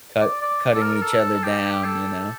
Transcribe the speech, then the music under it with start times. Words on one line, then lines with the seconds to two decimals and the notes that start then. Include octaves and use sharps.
cut cutting each other down, you know?
0.20 D5
0.41 D5
0.75 A4
0.82 A#4
1.02 A4
1.44 G4
1.84 A4